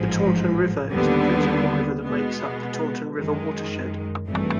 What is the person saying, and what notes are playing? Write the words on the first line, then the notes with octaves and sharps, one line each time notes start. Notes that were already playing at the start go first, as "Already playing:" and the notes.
The Taunton River is the principal river that makes up the Taunton River Watershed.
Already playing: A1 G#2 F3
D#2 D3 G3 B3
B2 G#3 B3
F#2 D#3 G#3
G#1 G2 E3 A3